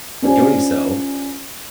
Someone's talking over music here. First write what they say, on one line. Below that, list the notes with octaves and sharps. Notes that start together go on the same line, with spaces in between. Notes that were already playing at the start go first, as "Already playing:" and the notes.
but doing so,
C#4 D4 F4 G4 C5 G#5